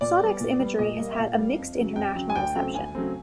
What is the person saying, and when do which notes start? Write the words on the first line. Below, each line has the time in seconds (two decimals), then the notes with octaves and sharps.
Saudek's imagery has had a mixed international reception.
0.01 A#2 D5
0.21 G3 B3
0.40 A#2
0.59 G3 B3
0.79 A#2 D#5
0.98 G3 A#3
1.12 E5
1.18 A#2 F5
1.38 G3 A#3
1.58 F2
1.77 C#3 F#3
1.96 F2 G5
2.16 C#3 F#3
2.30 G#5
2.35 D2 G5
2.55 C#3 F#3 A3 C4
2.74 D2 G#5
2.95 C#3 F#3 A3 C4